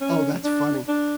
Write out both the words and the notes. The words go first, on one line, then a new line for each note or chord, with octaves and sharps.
Oh, that's funny.
C#4
D4
D4